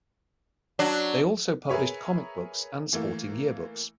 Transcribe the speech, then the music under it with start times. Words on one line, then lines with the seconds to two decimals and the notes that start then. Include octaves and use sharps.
They also published comic books and sporting yearbooks.
0.79 F#3 D4
1.69 G#4 A#4 B4 C#5 E5
2.93 E3 A3 A#3